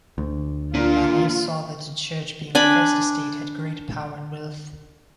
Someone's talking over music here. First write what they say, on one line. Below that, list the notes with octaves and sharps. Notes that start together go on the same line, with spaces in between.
Barnave saw that the Church, being first estate, had great power and wealth.
D2
A#2 A#3 D4 F4
D4 G#5 B5